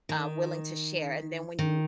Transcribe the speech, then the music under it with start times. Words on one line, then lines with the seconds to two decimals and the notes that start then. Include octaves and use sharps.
uh, willing to share, and then when you
0.09 D#3
1.59 D#3